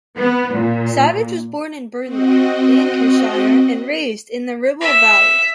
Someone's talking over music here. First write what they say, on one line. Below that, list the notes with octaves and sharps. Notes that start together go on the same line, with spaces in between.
Savage was born in Burnley, Lancashire and raised in the Ribble Valley.
B3
A#2
C4 F#4 D#5
E5